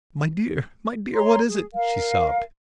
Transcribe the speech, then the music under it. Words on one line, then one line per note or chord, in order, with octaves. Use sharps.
"My dear, my dear, what is it?" she sobbed.
C#5 A#5 C6
G#4
A#4 F5